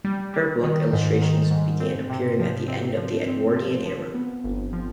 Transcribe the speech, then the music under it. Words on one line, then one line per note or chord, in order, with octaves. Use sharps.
Her book illustrations began appearing at the end of the Edwardian era.
G3
G3
D#3
G#2
D#3
G#2
C4
C3
F3
C4
F3
C4
F3
F3
B3
G1
F3